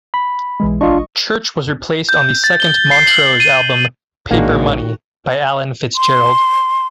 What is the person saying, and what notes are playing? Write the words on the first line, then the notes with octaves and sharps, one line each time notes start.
Church was replaced on the second Montrose album "Paper Money" by Alan Fitzgerald.
B5
B1 E3 G#3
G#1 D4 F4 D#5 C#6
G6
A6
G7
C7
F#7
D#7
A#1 F#2 A2 D#3 G#3 A#3 D4 F#4
C6